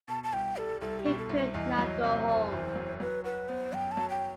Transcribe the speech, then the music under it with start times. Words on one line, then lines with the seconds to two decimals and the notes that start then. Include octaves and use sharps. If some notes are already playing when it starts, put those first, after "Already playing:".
He could not go home.
0.08 B2 A5
0.24 A5
0.33 C2 G5
0.57 G3 A4
0.81 C2 A4
1.00 G4
1.05 B2
1.18 A4
1.29 C2
1.36 C5
1.54 E2 D#5
1.78 F#3
2.04 C3
2.28 F#1 D#5
2.32 C5
2.52 E2
2.76 F#3
3.00 F#3 B4
3.24 F#4 B4
3.49 B3 C5
3.73 F#2 G5
3.92 A5
3.97 F#3
4.10 G5